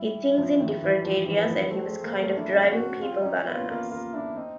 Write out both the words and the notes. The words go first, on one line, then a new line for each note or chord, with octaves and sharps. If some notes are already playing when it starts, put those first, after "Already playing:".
He thinks in different areas and he was kind of driving people bananas.
Already playing: G3 E4
F3
D#3
E3
F3 C4
E3
B3
F3
A3 C4
G#3
A#3
A3
D4 E4
C#4
C4 F#4
C4
C4 F4
C#4 D#4
D4
B3 E4
F4
A#3 F4
A#3 F4
D4 E4
C4 D#4